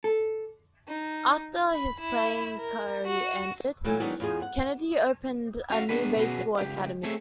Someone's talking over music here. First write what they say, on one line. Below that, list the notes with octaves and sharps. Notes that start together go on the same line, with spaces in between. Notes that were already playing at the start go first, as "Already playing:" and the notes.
After his playing career ended, Kennedy opened up a new baseball academy.
A4
D#4
B5
E4
A#4
F#4
A#2 E3 F#3 A3
D#3 F#3 G#3 B3 D4 D#4
E2 F4 G#4
F#5
C#4 F#4 F5
B3 D4 F#4 G#4 B4
B2 B3 C#4 F#4 G#4
C#2 G4
A3 C4 G#4 C#5 E5